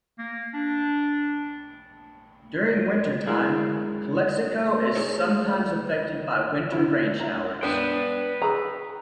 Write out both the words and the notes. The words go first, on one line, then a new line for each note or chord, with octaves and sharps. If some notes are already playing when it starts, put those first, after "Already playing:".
During winter time, Calexico is sometimes affected by winter rain showers.
A#3
D4
F#2 G#3 E4 G#4 A#4 F#5
A3 D#4 G#4 A4 C#5
D3 E4
E5 A#5
B3 D4 B4 G5
G#4 A#5 B5 C#6 E6